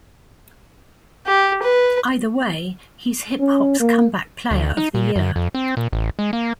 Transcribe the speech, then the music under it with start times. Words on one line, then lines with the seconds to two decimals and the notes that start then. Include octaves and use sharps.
Either way, he's hip-hop's Comeback Playa of the Year.
1.27 G4
1.63 B4
3.40 C#4
3.80 A#3
4.51 D2
4.77 D#4
4.94 A#2
5.16 F#2
5.36 F2
5.55 C4
5.77 A#2
5.93 A1
6.19 G#3
6.33 A#3